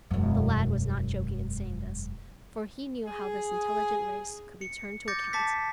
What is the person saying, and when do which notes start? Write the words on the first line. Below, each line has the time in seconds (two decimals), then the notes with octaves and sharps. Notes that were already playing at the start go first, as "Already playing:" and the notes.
The lad was not joking in saying this, for he knew how this intelligent race could be turned to account.
0.11 E1 F#2
3.06 G#4
4.61 C#7
5.08 D6 G6 A6 A#6 C#7
5.33 A5 D6 A6 B6